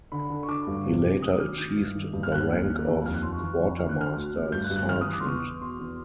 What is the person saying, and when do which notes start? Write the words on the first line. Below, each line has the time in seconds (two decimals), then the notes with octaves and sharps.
He later achieved the rank of Quartermaster Sergeant.
0.12 D3 B5
0.30 D3
0.43 C#6
0.48 D3 D6
0.67 G2
0.86 C3
1.04 C3
1.22 D2 D#6
1.40 D#3 F6
1.58 D#3 G6
1.77 G2
1.95 D#3
2.13 G2
2.23 F6
2.32 D#2 F#6
2.50 D#2
2.69 D#3
2.87 D#2
3.04 F2 F6
3.14 F#6
3.23 F2 C6
3.32 C#6
3.42 E3
3.60 F2
3.78 D3 F6
3.89 F#6
3.96 D3 F6
4.15 D2
4.34 D2
4.52 G2 G6
4.64 F#6
4.70 G2
4.76 F#6
4.88 E3 F6
5.01 D#6
5.06 E3
5.13 D6
5.20 C6
5.25 E2 C#6
5.43 E2
5.61 B2 C6
5.79 E2